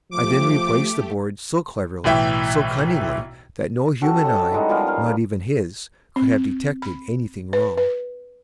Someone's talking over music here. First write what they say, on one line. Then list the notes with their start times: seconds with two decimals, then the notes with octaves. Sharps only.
I then replaced the boards so cleverly, so cunningly, that no human eye--not even his--could have detected any thing wrong.
0.11 F3 A3 G4 D6
2.04 B1 A2 E3 E5 G5
4.01 C#4 F#4 A4 G5
4.24 C#5 D#5 A5
4.51 E3 G3 G#3 D#4
4.69 F3 G3 B3 A#4
4.87 A#4 F5
6.16 C4
6.82 B5
7.53 B4
7.78 B4